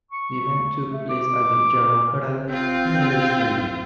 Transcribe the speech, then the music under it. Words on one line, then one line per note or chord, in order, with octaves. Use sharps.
The event took place at the Jawaharlal Nehru Stadium.
C#6
A3
D6
C4 F4